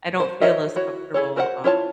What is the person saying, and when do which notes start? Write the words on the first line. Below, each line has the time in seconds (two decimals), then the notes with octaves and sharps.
I don't feel as comfortable, um
0.20 C5
0.41 F#4 A#4 C#5 D#5 E5
0.76 E4 F#4 C#5
1.14 E4 G#4 A4 C#5
1.36 F#4 A#4 C5 E5 F#5
1.64 E4 F4 C#5 A5